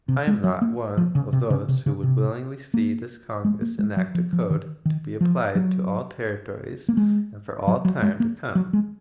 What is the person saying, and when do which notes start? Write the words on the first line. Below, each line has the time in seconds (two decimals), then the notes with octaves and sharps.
I am not one of those who would willingly see this Congress enact a code to be applied to all Territories and for all time to come.
0.08 C3
0.27 G#3
0.44 F#3
0.62 A#3
0.97 F3
1.15 C#3
1.33 C3
1.50 C#3
1.68 C3
1.86 C#3
2.03 C3
2.74 A#3
3.45 G#3
3.62 A#3
3.79 G#3
3.97 F#3
4.15 F3
4.33 F3
4.50 D#3
4.85 D#3
5.21 F3
5.55 F#3
6.89 A#3
6.97 G#3
7.67 F#3
7.85 F#3
8.02 G#3
8.20 A#3
8.55 F#3
8.73 G#3